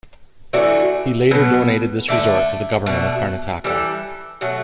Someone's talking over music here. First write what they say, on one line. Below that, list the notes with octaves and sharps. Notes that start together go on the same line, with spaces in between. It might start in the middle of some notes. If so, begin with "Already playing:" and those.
He later donated this resort to the Government of Karnataka.
E3 A3 D4 F#4
B2 F#3 B3
D3 A3 D4
B2 A3 D4
E3 G3 D4 A4
B2 F#3 A3